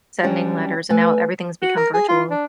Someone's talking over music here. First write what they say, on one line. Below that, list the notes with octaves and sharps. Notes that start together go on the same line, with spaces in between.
sending letters, and now everything's become virtual.
F#3 G3 C#4 D4 G4
A3 B4 G#5
F#4
A#4
G#4
F4
D4